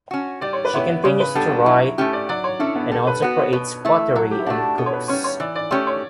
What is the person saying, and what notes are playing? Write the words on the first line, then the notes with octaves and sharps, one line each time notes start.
She continues to write, and also creates pottery and cooks.
C#4 F#4
G3 D5
C#5
B4
B3 E4 G4 C#5
C#3 C#5
B4
G3 B3 D4 A4
F#4
F#3 E4
A3 C#4 E4 G4
D5
F#3 D5
C#5
C#4 D4 E4 A4
B3
G3 A4
B4
B3 F#4 B4
C#5
B2 B4
A3 E4
F#3 A4
G4
E4
A3 D4 F#4
B2 A4
C#5
B4
G3 C#4 C#5
C#5
E3 D5
D5
A3 C#4 G4 C#5
C#5